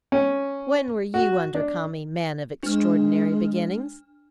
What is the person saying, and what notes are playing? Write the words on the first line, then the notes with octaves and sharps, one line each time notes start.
'When were you under Kami, man of extraordinary beginnings?'
C#4
F#4
D4
G#3 D4 F6